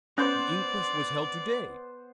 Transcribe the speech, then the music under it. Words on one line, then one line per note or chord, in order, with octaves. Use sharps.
The inquest was held to-day.
B3 C#4 C5 D5 F#5 G6